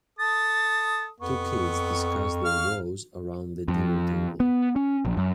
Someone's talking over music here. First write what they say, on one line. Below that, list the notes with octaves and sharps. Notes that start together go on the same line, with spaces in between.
Two kids discuss their woes around the dinner table.
A4 D#6 A6
F2 B3 C#6
F5 F6
F2
B3
C#4
A#1
F#2